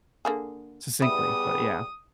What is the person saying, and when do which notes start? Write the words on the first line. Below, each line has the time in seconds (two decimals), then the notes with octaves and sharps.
succinctly, but yeah.
0.25 D3 A#3 G#4
1.02 G3 B3 E4 G#4 D#6